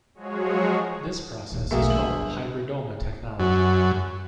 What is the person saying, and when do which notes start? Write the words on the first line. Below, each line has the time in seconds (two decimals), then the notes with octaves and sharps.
This process is called Hybridoma technology.
0.15 F3 F#3 G#3 F#4 G#4 C#5
1.52 D#1 D#2
1.71 B1 E3 A3 A#3 F#4 G#4 E5
1.90 G1 F#3 F#7
3.40 F#2